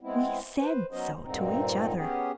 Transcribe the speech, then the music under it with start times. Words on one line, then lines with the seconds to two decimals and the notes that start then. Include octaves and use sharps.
We said so to each other.
0.01 G#3 B3 C4 E4
0.60 B4 C5
0.91 F#3 B3 C#4 D#4 C5 D#5
1.23 G2 A#2 D3 C4 D#4
1.97 B3 C#4 G4 G#4